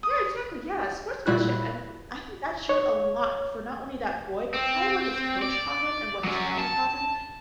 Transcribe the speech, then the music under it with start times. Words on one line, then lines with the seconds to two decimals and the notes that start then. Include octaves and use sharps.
Yeah, exactly, yeah, sportsmanship, and I think that showed a lot for not only that boy, but probably what his coach taught him and what his family taught him,
0.03 D#6
1.26 A#2 G3 E4 F#4 B5 F#6
2.69 C#5
4.54 C4
5.42 D5
6.24 F#3 C#4
6.58 A5